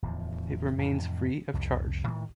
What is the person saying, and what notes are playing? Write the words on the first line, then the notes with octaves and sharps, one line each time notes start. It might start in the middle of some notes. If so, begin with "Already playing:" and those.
It remains free of charge.
D1 E2 F3
F2 A2 C3 E3
C2 F2
A2 D#3 E3 G#3